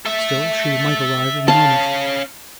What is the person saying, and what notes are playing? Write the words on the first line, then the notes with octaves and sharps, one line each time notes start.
Still she might arrive any moment.
A4 E5
C#4 F5 A5